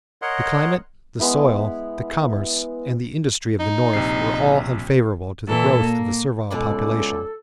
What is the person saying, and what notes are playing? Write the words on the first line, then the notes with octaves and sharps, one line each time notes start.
The climate, the soil, the commerce, and the industry of the North were all unfavorable to the growth of a servile population.
A#4 C#5 D#5 F#5 C6
G#3 B3 E4
D#4
A#1 C3 C7
A#2 E3 A4
A#3
C#2 B2 G#3 A4 D5